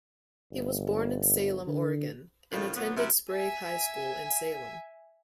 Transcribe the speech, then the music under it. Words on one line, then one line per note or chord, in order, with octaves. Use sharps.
He was born in Salem, Oregon, and attended Sprague High School in Salem.
G1
D3
A2 D3 D#3 F3 C#4 F4
A#2 D3 F#3 B3
C3 F#3 E4 A#4 E5
E5 G#5